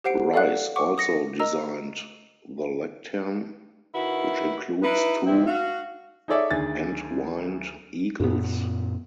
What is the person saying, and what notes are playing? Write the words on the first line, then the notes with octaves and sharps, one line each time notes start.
Rice also designed the lectern, which includes two entwined eagles.
G4 C5 F#5 C7 D7
A4 D5 F5 F#5 F#6
F#5 C#6 D6
D#6 A#6 C#7
A#4 D#5 A#5 E6
D#3 E4 F#4 B4
D#4 E4 B4
E2 C3 C4 E4
F#4 F5
D#4 G#4 A4 C#5 D5 E5
D2 D#3 G#4 A6
F#2 A#2 B3